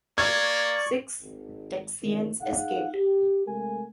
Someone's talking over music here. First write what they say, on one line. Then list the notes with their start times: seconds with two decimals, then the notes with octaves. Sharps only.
Six Texians escaped.
0.18 A#3 D5 C#6 G#6
1.21 G#1
2.02 G1 C2 D#3 C#4 G#4 A#4
2.41 D#4 G#4 F5 F#5
2.93 G4
3.47 C3 G#3 A3 A4 A#4 G#5